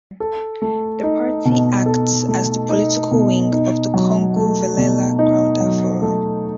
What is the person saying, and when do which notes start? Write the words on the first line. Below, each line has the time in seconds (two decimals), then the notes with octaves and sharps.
The party acts as the political wing of the Kongu Vellala Gounder Forum.
0.20 A4
0.62 A3
1.03 D#4
1.45 B2
1.86 A4
2.28 A3
2.69 D#4
3.11 B2
3.52 D#4
3.94 F#3
4.36 A3
4.77 B2
5.19 D#4
5.60 F#3
6.02 A3